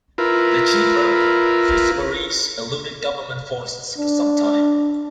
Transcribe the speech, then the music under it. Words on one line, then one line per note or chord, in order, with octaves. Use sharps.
The chief rebel, Fitzmaurice, eluded government forces for some time.
E4 F4 A#4 B4
D4